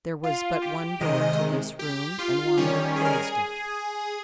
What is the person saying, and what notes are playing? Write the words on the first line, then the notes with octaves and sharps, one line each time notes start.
There was but one door to this room and Wander closed it.
F4
G4
C3 D#3 G#3 D#5
G4
F4
D#3 G3 C#4 G4
G#4
A#4
G#4